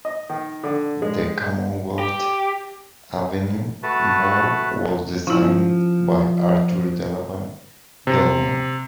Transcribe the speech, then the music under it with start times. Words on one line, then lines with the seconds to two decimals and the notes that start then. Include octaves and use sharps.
The Commonwealth Avenue Mall was designed by Arthur Delevan Gilman.
0.05 D#5
0.30 D#3
0.63 D3
1.02 G#3
1.99 G4
3.83 A3 F#4 B4 A5
5.27 F3 C#4 E4
8.07 C3